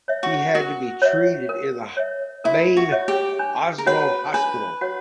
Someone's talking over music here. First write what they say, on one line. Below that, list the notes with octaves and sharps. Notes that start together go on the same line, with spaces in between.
He had to be treated in the main Oslo hospital.
C#5 E5
F#4
F#4 A#4
C#5 E5
A#4
C#5 E5
E4 A#4
F#4
C#5 E5
G4
D4
A#4
F#4 B4 C#5 F#5
D4 B4
F#4 C#5 F#5